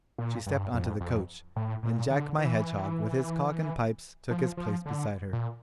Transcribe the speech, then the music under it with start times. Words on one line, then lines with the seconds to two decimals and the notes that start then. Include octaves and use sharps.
She stepped into the coach, and Jack my Hedgehog with his cock and pipes took his place beside her.
0.18 A#2
0.46 G2
0.74 F2
1.01 F2
1.56 A2
1.83 A#2
2.11 D3
2.38 E3
4.31 F3
4.57 F3
4.86 D3
5.33 A#2